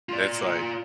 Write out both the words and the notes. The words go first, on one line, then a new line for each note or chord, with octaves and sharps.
It's, like,
F4 D5